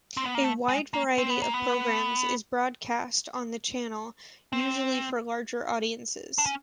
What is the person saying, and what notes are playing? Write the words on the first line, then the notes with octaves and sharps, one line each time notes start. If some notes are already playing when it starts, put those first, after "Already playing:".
A wide variety of programs is broadcast on the channel, usually for larger audiences.
C4
B3
A#3
A3
G#3
A#3
C4
B3
A#3
B3
C4
D4
C#4